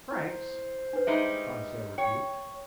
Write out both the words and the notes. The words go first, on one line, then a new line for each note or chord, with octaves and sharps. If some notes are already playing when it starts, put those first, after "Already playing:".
"Francs!" Conseil rebuked.
E4 C5
D4 B4
G3 G#3 D#4 E5
C#5 G5